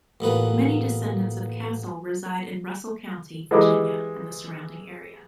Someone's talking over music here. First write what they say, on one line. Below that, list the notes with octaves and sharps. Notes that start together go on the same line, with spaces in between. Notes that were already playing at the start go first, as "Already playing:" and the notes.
Many descendants of Castle reside in Russell County, Virginia and the surrounding area.
A1 A#2 B3 B4
E3 G#3 G4 D#5 B5 D6